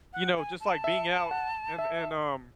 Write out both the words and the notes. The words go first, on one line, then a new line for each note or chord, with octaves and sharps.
you know, just, like, being out, and and, um
F#5
G#5
A5
E5
F#5
E5